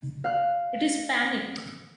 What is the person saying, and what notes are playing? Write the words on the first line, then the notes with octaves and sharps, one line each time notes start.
It is panic!
F5 F#6